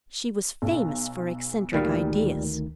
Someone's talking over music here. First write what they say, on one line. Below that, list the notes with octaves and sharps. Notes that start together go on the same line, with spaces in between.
She was famous for eccentric ideas.
B1
D2 A#2 D#3 G3 F5